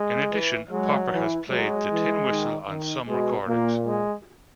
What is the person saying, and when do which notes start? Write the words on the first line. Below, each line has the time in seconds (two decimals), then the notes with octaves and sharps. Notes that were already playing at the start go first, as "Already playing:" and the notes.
In addition, Popper has played the tin whistle on some recordings.
Already playing: G#3
0.31 E3
0.70 F#3 G#3
1.11 E3
1.49 F#3 G#3
1.90 E3
2.30 D#3
2.68 D#3
3.08 B2 G#3
3.48 A#2 A#3
3.87 G#3